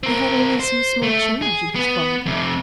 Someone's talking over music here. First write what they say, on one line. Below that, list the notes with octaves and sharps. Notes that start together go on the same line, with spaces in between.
He had only some small change in his fob.
C4 A#4
C5
A3
G#4
B3
F2 C3